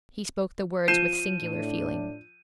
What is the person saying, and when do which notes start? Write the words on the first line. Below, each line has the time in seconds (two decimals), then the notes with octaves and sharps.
He spoke the words with singular feeling.
0.88 F3 G6 C7 D#7 E7
1.41 A2 D4